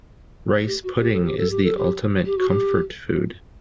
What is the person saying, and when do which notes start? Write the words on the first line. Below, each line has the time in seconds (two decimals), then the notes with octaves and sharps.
Rice pudding is the ultimate comfort food.
0.67 G4
0.83 F#4
0.99 G4
1.12 A4
1.24 G4
1.37 A4
1.50 G4
1.63 A4
1.77 G4
2.25 G4
2.38 F#4
2.49 G4